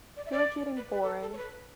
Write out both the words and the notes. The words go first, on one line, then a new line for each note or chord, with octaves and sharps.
You're getting boring.
D5
E5
D5
B4
B4
A4
A4
C#5
B4